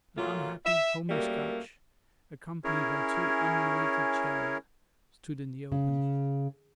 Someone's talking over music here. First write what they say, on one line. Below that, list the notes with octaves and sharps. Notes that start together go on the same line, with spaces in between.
An unhappy, homeless couch, accompanied by two unrelated chairs, stood in the open.
A#2 F#3 A3 A#3 F4
E5
F#2 A#2 G3 A3 A#3
C#4 E4 G#4 A#4 C#5
C#3